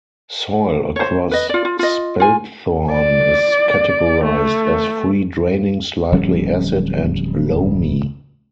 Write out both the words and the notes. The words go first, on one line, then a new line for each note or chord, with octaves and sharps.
Soil across Spelthorne is categorised as "free draining slightly acid and loamy".
C5 C#5
B4 D#5
F4 D5
F4
F4 D#5
F4 G#5
D5
A3
D1 F3 G3 C#4